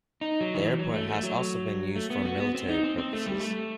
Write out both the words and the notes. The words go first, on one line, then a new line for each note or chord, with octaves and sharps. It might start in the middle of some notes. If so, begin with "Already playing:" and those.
The airport has also been used for military purposes.
D#4
F#3
D#3
E3
F#3
A3
A3
F#3
A3
B3
F#4
B3
C4
D#4
C4
C4
A3
G3
A3